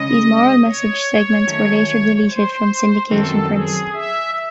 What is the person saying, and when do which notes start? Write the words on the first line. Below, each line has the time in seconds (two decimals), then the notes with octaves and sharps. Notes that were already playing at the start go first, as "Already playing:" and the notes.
These moral-message segments were later deleted from syndication prints.
Already playing: C#3 G#3 C#4 D#5
0.65 C#5
1.47 D#3 F#3 A3 C#4
2.29 C5
3.11 F#2 D#3 F#3 C4 A4
3.52 G#4
3.93 E5